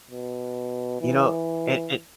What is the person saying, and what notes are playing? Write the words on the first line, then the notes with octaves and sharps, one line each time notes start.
You know, it it
B2
E3